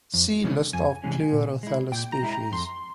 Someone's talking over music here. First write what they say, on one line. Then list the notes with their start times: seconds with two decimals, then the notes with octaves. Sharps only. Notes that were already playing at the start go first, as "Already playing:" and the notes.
See List of Pleurothallis species.
0.14 F2
0.44 C3 E3 G#3 C#4
0.73 F2 G#5
1.04 C3 E3 G#3 C#4
1.32 A#2
1.63 G#3 E4
1.92 A#2 G5
2.12 A#5
2.23 G#3 E4
2.32 A#5
2.52 F2 C6